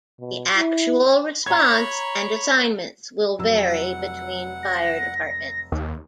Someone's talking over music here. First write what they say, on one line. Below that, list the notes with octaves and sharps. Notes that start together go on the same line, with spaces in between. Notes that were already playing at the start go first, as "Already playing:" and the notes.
The actual response and assignments will vary between fire departments.
B2
E4
C#5 A#5 B5 G#6
F1 F#3 E6
F#5
A#6
D#2